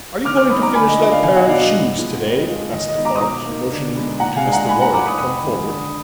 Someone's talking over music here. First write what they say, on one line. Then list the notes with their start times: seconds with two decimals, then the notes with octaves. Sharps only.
"Are you going to finish that pair of shoes to-day?" asked Defarge, motioning to Mr. Lorry to come forward.
0.25 D#3 D6 F6
0.37 D6 F6
0.50 G#3 B3 D#4 B5 D#6
0.62 A#5 D6
0.75 D3 G#5 B5
0.88 D#5
0.99 F3 A#3 D4 D#5
1.11 D5 F5
1.23 B2 F5 G#5
1.36 D#5 F#5
1.49 F#3 B3 D4 D5 F5
1.60 D#5
1.74 G#2
1.98 F3 G#3 B3
2.23 F2
2.48 F3 G#3
2.72 D#3 D#5
2.88 D#5
2.97 G#3 B3 D#4
3.05 A#5 D6
3.15 D#6
3.21 B2 A#5 D6
3.46 A#3 D#4
3.71 D3
3.95 G#3 B3 D#4
4.20 A#2 F#5 A#5
4.36 F5 G#5
4.45 G#3 D4
4.52 F#5 A#5
4.69 A#2 G#5 B5
4.81 F#5 A#5
4.94 F3 A#3 A#5 D6
5.06 B5 D#6
5.18 F2 B5 D#6
5.43 D#3 G#3
5.67 D3